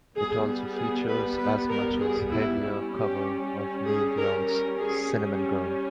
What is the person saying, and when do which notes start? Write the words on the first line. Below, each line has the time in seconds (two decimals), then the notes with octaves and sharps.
It also features a much heavier cover of Neil Young's Cinnamon Girl.
0.15 G3 B3 G#4
0.76 G#4
1.07 B4
1.38 B4
1.70 A#4
2.00 G#4
2.31 E4
2.62 G3 C#4 E4
2.93 G4
3.85 G#4
4.17 A#4
4.47 A#4
4.78 G#4
5.09 G3 C#4